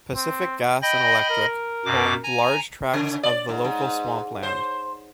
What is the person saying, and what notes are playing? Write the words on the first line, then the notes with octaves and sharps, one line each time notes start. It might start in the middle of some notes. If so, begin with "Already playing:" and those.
Pacific Gas and Electric owned large tracts of the local swampland.
C4
D#5 G5 B5 A#6
A#4
F#2 B2 D6
G#5 A#5
C#3
D5
G#2
G#2
C5